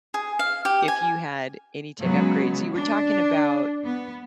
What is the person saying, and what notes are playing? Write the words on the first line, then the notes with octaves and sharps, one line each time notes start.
if you had any tech upgrades? You were talking about,
G#4
F5
G4
G#5
C#3 F#3 G#3 B3
D4
B3